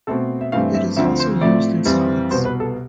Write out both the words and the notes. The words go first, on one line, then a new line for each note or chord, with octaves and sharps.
It is also used in salads.
B2 A3 C4 A4
E5
G2 E3 A3 C4 F5
E5
D2 D3 F3 C4 E5
C5
A2 F3 A3 C4 D5
F2 E3 G3 C4
C2 B2 B3 C5
B4
A4